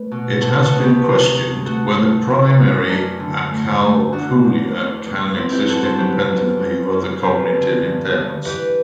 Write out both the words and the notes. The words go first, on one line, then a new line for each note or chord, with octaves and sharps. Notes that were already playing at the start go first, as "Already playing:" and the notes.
It has been questioned whether primary acalculia can exist independently of other cognitive impairments.
Already playing: A3 B4
B2
B3 F#4 A4
F#4 A4
D2
G4 B4
C3
B3
A3 F#4 A4
A3
E3
F#2
F#2 D4
D3
A3
A3
E2 D4 F#4
E2
E2
E2
B3 C4 E4
E4 G4
F#2 F#4 A4
A4 C5
F#3 G4 B4
F#2
G3
F#2
F#2 G4 B4
D3
G2
G2
E3 G4 B4